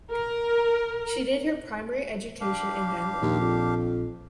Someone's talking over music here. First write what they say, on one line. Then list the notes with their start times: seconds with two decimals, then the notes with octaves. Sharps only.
She did her primary education in Bangalore.
0.11 A#4
2.41 D4 G4 F5
3.22 A#1 D#2
3.40 F2